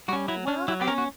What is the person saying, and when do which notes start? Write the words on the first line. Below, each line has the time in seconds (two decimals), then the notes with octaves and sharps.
Well, I'm
0.08 G3 F#4
0.13 C#4
0.28 F#3 E4
0.47 C#4 D4
0.68 F#3 E4
0.82 G4
0.88 C#4 A#4
0.98 F#4